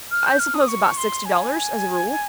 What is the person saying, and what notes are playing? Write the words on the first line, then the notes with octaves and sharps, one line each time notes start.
"I suppose about sixty dollars, as a rule."
F6
G6
F6
D#6
C#6
C6
G#5